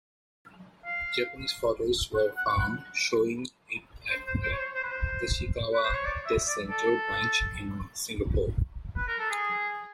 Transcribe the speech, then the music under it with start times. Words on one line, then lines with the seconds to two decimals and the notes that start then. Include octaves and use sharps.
Japanese photos were found showing it at the Tachikawa test center branch in Singapore.
0.85 F5
2.15 F#5
2.37 F#5
2.59 F#5
4.10 C5
4.27 C5
4.43 C5
4.52 C#5
4.58 C5
4.74 C5
4.83 B4
4.91 C5
5.74 B4
5.84 C5
5.94 C#5
6.05 D5
6.26 E5
6.48 D5
6.70 A4
8.97 B4
9.08 A#4
9.19 A4
9.30 G#4